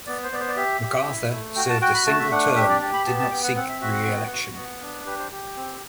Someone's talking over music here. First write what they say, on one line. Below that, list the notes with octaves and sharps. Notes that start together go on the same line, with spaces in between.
McArthur served a single term and did not seek re-election.
B3 D5
C5
B3 D5
C5
D5
G4 E5
G4
E4
A3
F#4 G5
A5
F#4 G5
B5
A3 A5
E5
D4 F#5
G4 E5
D5
G4 D5
B5
B3 A5
A5
B3 G5
F#5
C4 F#5
E5
F#4 E5
F#5
B3 F#5
G5
F#4 F#5
B3
D4
G4 B4
C5
G4
C4